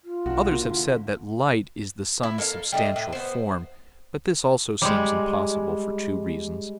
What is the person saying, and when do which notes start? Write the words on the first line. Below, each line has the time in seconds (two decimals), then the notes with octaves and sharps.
Others have said that light is the sun's substantial form, but this also seems impossible for two reasons.
0.04 F4
0.26 B1 D4 F#4
0.51 A#3
0.70 D3 E4
2.23 E4
2.38 A#3 A4 D5 F5
2.72 G3 A3 D4 D#5
2.96 A2
3.13 B3 C5
4.82 G3 G#3